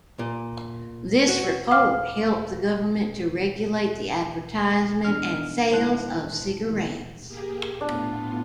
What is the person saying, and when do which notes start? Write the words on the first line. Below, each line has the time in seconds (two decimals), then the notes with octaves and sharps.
This report helped the government to regulate the advertisement and sales of cigarettes.
0.19 A#2
1.28 F#4
1.71 F5 D6 F6
5.05 E3 B3 D4 D#5 F6
5.72 D#3 G#3 E4 C5 A5 F#6
6.65 B2 D#3 E3 A#3
7.28 A#3 G4 G#4
7.81 A2 B3 D4 F4